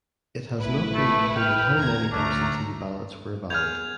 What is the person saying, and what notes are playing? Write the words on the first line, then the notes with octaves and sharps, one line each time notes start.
It has not been reported how many absentee ballots were valid.
A1 E4 B4
A3
G5 F6
E2 A#5 G#6
D2 A3 C#4 D4 A#5
B3 G#4 F6 G6 G#6 F7